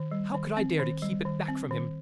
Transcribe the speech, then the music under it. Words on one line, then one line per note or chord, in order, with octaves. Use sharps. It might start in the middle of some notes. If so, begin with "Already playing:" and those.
How could I dare to keep it back from him?
Already playing: D#3
G3
D#3
C4
D#3
G3
D#3
C4
D#3